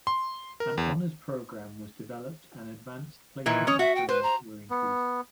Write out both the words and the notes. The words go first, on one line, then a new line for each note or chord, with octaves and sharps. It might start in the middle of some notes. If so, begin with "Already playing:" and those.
An honors program was developed and Advanced Placement offerings were increased.
C6
A#4
E2
A#2 D#3 E3
C#4 C#5 D#6
F#4 E5
G5
B4 C5
A#5
B3